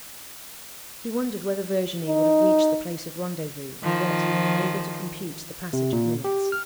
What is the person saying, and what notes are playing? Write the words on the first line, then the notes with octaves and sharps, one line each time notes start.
He wondered whether Virginie would have reached the place of rendezvous, and yet he was unable to compute the passage of minutes.
D#4
D#3 F3
C3
A#2
G4
F6